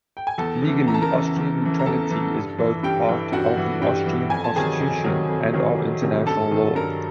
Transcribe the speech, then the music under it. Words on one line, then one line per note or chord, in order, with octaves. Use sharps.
Legally, Austrian neutrality is both part of the Austrian constitution and of international law.
G5
G#5
E2 A4 A5
C#3 E3
E2 A#5
A5
A#4 A#5
C#3 E3
E2
C#3 E3
A#5
E2 A4 A5
C#3 E3
G2
E3
G2 G4 G5
E3
G2 F#4 F#5
E3
G2 G4 G5
E3
F2 G#5
A5
C3 D#3 F#3 G#4 G#5
F2
C3 D#3 F#3
F2
C3 D#3 F#3
F2
C3 D#3 F#3
G2 A4 A5
D#3 F#3
G2 A#4 A#5